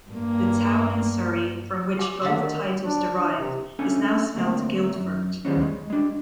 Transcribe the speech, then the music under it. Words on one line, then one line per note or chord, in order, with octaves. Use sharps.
The town in Surrey from which both titles derive is now spelt "Guildford".
G2 A#3
G4 G#5 D6
D3 D#3 F#4 F5 C6
A#4
D4
D4
C3
C#4 D4 A4 G#5
D2 A3 A#3 C4
F#2
D#3 F3 G3 G#3 B3 C#4
G#3
G#3 D4